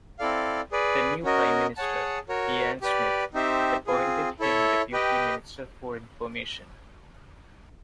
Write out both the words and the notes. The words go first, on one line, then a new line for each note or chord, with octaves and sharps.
The new Prime Minister, Ian Smith, appointed him Deputy Minister for Information.
C4 E4 A4 D5 F5
G#4 B4 D5
C#4 F#4 A#4 D#5
G#4 C#5 F#5 A5
F#4 A#4 C#5
G4 B4 D5
C4 D#4 G4 C5 E5
C4 F4 G#4
E4 A4 C#5 E5
G4 B4 D#5 G5